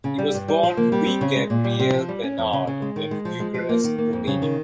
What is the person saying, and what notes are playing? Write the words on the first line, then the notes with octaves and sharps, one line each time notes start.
He was born Louis-Gabriel Besnard in Bucharest, Romania.
C#3
G3
G2
G3
F3
A#3
G3
C4
C#3
G#3
A#2
G3
C3
F3
G3
C#4
F2
C#3
C#3
G#3
D#3
G#3
F3
G#3
F3
A#3
D#3
A#3
F2
C#3
D#3